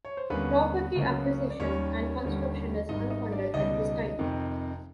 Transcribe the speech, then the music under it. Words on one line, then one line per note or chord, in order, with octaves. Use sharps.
Property acquisition and construction is unfunded at this time.
C#5
C5
D#2 D3 G3 A#3 B3 C#4 B4
C#2 C#3 F#3 A#3 C#4
D5
D#2 D#3 G3 C#4 C#5
D#2 D3 G3
G#1 G#2 D#3 G3 D#4 D#5
D#4 D#5
D4 D5
C#2 B2 G3 D#4 D#5
F2 C3 D#3